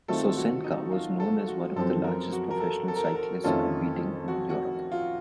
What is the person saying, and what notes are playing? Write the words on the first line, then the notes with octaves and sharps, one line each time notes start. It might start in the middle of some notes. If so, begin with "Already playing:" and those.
Sosenka was known as one of the largest professional cyclists competing in Europe.
D#3 A3 C4 F4 A4
F#4
D#4
F4
A4
F#4
F#2 F3 C4 A4
A#4
F#4
A#4
A4
A4
A#4
A4
A#4
F2 D#3 A3 C#4 F4 A4
F#4
F#4
F4